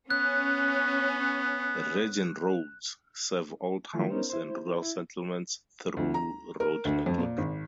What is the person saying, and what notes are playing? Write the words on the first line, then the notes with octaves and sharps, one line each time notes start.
Region roads serve all towns and rural settlements through road network.
B3 C#4 F#6
D#3 F3 G3 A3 E4 F4
B3 C#4 D#4 A#4 C5
E4 C5
E4
D2
A#5
A#4
D2
F2
A#2
G#1